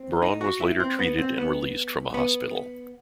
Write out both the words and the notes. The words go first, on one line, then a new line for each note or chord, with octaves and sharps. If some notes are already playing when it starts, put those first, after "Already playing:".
Braun was later treated and released from a hospital.
Already playing: C4
D#4
F#4
E4
C4
B3
C4
B3
B3